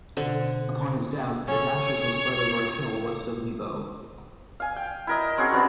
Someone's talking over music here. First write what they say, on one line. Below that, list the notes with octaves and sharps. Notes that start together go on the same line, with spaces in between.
Upon his death, his ashes were spread over a hill west of Wibaux.
B2 D3 C5
C#4 A4 C#5
F5 G#5
G5
E4 A#4 D#5
C4 C#4 F#4 G#4
B3 C4 D4 G4